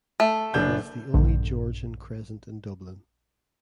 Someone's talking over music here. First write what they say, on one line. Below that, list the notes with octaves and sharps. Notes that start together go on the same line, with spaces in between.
It is the only Georgian crescent in Dublin.
A3
F#1 D4 G6
A#1 G2 D3